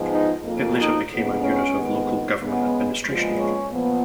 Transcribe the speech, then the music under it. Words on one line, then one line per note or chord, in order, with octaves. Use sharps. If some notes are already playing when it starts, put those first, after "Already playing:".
It later became a unit of local government administration.
Already playing: G#2 F3 G#3 B3
D#4
F2 F3 A#3
D#4
F2 C#3 G#3 B3
C#4
F2 D#3 G#3 B3
C#3 G#3 B3
A#2 F3 G#3 B3
C#4
A#2 F3 B3